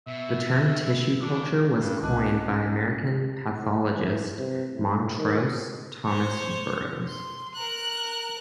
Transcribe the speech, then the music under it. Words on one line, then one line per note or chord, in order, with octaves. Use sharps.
The term "tissue culture" was coined by American pathologist Montrose Thomas Burrows.
B2 E5
D#3 D4
G2 G#3 C#4
C2 G#3 A5 D6 F#6
A2
E3
C3
A2
D#3
C5 C#5
C6
A#4 F#6